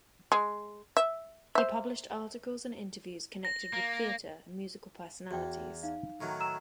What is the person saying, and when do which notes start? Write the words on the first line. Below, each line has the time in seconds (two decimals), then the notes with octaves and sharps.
He published articles and interviews connected with theatre and musical personalities.
0.32 G#3
0.97 E5
1.55 C5 E5
3.45 A#6
3.73 A#3
5.31 E2 F#4 G5
5.83 D#4 F5
6.21 A2 D#3 F#3
6.40 A#5 E6 E7